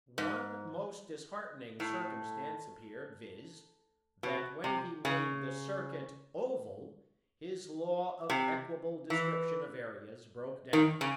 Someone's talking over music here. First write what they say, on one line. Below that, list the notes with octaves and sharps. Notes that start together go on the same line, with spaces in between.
One most disheartening circumstance appeared, viz. that when he made the circuit oval his law of equable description of areas broke down.
G#2
A2
B2
C3
C#3
C3
E3
D#3
C#3